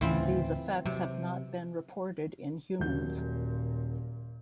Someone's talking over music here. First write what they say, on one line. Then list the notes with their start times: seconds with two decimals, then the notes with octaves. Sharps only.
These effects have not been reported in humans.
0.01 D2 A2 C#3 E3 C4 F4
0.86 C3 F#3
2.79 D#1 A#2 F#3 G6